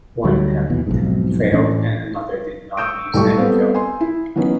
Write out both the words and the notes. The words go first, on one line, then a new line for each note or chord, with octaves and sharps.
One attempt failed and another did not use any film.
D2 D3 F#3 G3
D#2 B2 E3
B1 F2 G#2
A2 E3 C#4 D4
C#6 D#6 E6 G6 D7
B1 A2 G3 A3 G5 C#6
G3 B3 C4 A4 C5 F5
G#5 C6
E4
E3 F#3 B3 C#4 D#4